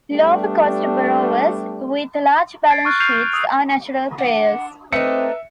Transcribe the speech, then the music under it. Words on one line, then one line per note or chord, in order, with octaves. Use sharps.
Lower cost borrowers, with large balance sheets, are natural payers.
G3 A3 B3 D4 G4
G#6 A6 C7 D7
C#6 F6 F#6 G#6
F6 G6 C7 D#7 F7
G6
D#6 E6
D4 F#5
A3 C4 D4 D#4 B4 E5 C#7